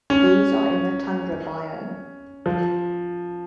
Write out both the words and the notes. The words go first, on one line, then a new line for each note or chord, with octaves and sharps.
These are in the tundra biome.
C#4
F3